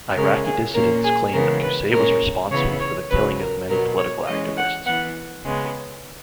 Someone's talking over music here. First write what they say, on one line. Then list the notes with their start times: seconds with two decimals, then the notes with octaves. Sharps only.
Iraqi dissidents claim that Qusay was responsible for the killing of many political activists.
0.15 C#3 G#3 C#4 A#4
0.45 G#4
0.74 A#2 A#3 C#4 A#4
1.04 G#4
1.33 C#3 E3 G#3 B3 A#4
1.62 B4
1.91 A#2 G#3 C#4 A#4
2.51 C#3 E3 B3 C#5
2.80 C#5
3.10 C#3 F#3 C#4 B4
3.39 A#4
3.69 B2 F#3 B3 A#4
3.98 C#5
4.27 E3 G#3 C#4 D#5
4.57 F#5
4.86 E3 B3 F#5
5.45 C#3 G#3 B3